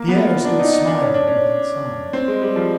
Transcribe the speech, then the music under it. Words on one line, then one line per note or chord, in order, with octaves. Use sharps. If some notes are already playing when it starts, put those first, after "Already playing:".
Pierre stood smiling but silent.
Already playing: A#3
B3
F4
D4
D#4
D#4
D4
C#4
D4
C#4
C4
G#3
G3
F3